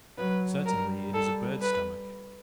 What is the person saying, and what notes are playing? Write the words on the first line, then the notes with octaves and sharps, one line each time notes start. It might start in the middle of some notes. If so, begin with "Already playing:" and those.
Certainly it is a bird's stomach.
F#3 B4
G3 A#4
A4
B4